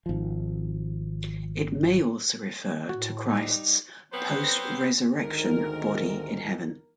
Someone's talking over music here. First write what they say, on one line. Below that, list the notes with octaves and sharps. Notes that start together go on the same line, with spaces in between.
It may also refer to Christ's post-resurrection body in Heaven.
G#1 F3
A2 F#4
G3 D#4
F#3 B3 C4 C5
D2 G#2 D#3 A#4